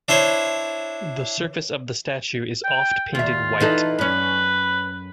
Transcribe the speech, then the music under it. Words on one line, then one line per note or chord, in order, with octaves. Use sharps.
The surface of the statue is oft painted white.
D4 E4 C5 C#5
G5
D#2 F4 E5
E3 D#4 A4
F#2 C#4 B4